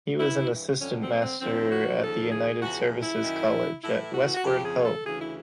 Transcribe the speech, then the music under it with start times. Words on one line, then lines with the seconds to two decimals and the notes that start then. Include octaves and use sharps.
He was an assistant master at the United Services College at Westward Ho!
0.19 G2 E3 E4
0.80 F2 D3 F3 C#4
1.01 C4
1.20 C4
1.40 D#2 D3 F3 C4
1.71 F#4
2.01 D#2 C#3 F3 A4
2.32 G#4
2.62 E2 C#3 F3 F#4
3.02 E4
3.22 F#2 D#3
3.84 A2 E3 E4
4.14 F#4
4.35 F#4
4.44 F2 C#3 F3 G4
4.65 G#4
4.85 A4
5.05 D2 C#3 E3 G#4
5.21 E4